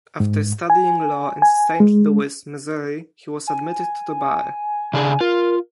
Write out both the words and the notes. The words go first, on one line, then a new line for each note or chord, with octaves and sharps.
After studying law in Saint Louis, Missouri, he was admitted to the bar.
G#2
G#5
G#5
G#3
G#5
C#3 D4 G#4
F4 A#4